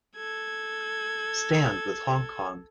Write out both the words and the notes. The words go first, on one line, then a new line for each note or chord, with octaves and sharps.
Stand with Hong Kong.
A4 G#6